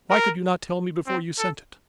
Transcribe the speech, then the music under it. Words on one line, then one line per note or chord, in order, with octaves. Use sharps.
Why could you not tell me before you sent it?
A#4
C4
A4